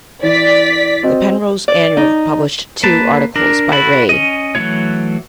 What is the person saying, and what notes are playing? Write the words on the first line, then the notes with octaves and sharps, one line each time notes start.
The "Penrose Annual" published two articles by Ray.
E3 D5 B6
C4 F#4 D#5
D5
D#4
A#3 B4 A5
D4 A#4
E4 F#4 A4 B5
C#4 D#5
E3 F#3 A3 F4 C#5